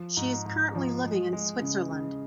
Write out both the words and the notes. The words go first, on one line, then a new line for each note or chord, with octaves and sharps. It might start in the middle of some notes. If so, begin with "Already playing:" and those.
She is currently living in Switzerland.
Already playing: F3
G#2
G#2
F3
G#3
G#3
C#3
C#3